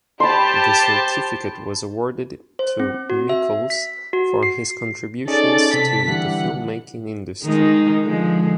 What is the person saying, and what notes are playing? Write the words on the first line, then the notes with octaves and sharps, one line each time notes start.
The certificate was awarded to Mikels for his contributions to the filmmaking industry.
G4 C5 A5 B5 C6
C5
C4
F#4
E5
B6
F#4
C7
C#4 D#4 G#4 A4 D5
C3 A5 B6
D3 E3 G3 F#5
D#3 G#3 D#4
D3 F3 G#3